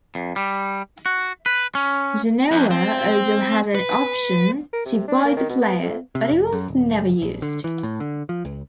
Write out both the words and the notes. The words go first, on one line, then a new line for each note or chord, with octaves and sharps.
Genoa also had an option to buy the player, but it was never used.
F2
G3
F#4
B4
C#4
F2
C4
B4
A#4
C3
D4
A#3
D#3
B2
B3
F2
C3
F1
F#2
D#1
F#1
A#1
D3
E3
A2
D3
F3
C#2